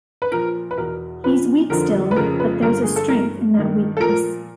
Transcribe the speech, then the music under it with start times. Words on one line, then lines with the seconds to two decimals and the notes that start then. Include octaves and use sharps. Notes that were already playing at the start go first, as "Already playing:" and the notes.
He's weak still, but there's a strength in that weakness.
0.22 B4
0.32 A#2 F3 A#4
0.71 B4
0.77 E2 B2 A#4
1.24 A#2 F3 B4
1.70 F2 D3 F3 A#4
2.11 B4
2.16 F2 A#4
2.19 C#3 F3
2.40 B4
2.62 G2 D3 F3 A#4
2.83 G#4
2.96 A4
3.08 G2 E3 A#4
3.54 G2 D#3
3.97 A4
4.00 A#2 F3 A#4